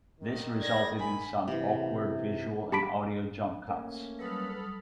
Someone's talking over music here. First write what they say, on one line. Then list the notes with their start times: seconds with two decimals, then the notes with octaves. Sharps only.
This resulted in some awkward visual and audio jump cuts.
0.20 D#3
0.60 D5 G#6 A#6
0.99 G#5 B5
1.48 C3 E3
2.72 G4 A5 B5 B6 D7
3.68 A3 A#3 C#4
4.19 F#3 G3 A4 B4 B5 D#6 F6